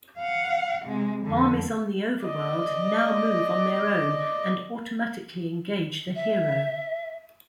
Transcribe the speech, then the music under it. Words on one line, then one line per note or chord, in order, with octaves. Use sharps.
Armies on the overworld now move on their own and automatically engage the hero.
F5 F#5
C3 G#3
F2 D3
D5 D#5
E5